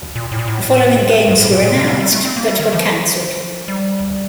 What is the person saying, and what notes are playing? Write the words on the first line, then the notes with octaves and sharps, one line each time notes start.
The following games were announced, but were cancelled.
A#2
A2
A#2
A2
G2
A2
A#2
A#2
C3
G3
G3
A3
C4
A#3
G3
D#3
F3
G3